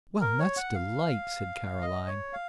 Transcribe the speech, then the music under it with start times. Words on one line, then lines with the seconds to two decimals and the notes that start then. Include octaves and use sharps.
"Well, that's delight," said Caroline.
0.21 A#4
0.39 C#5
0.57 F#5
0.74 F5
1.81 D#5
2.07 C#5
2.33 F5